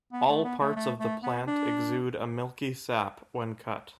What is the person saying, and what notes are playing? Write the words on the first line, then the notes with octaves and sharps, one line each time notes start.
All parts of the plant exude a milky sap when cut.
B3
A3
B3
A3
A3
A3
B3
D4